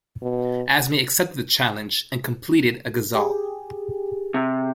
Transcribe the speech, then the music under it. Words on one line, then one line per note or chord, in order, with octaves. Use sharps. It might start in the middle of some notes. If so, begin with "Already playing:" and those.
Azmi accepted the challenge and completed a ghazal.
B2
G4 G#4
C3